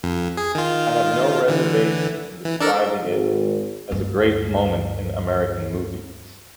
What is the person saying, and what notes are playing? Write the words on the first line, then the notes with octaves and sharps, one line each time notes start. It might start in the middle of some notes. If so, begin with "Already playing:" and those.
I have no reservations in describing it as a great moment in American movies.
F2
G#4
D#3 F4
D3 E3
E3
D4 A4 A#4
G#1
D2 G2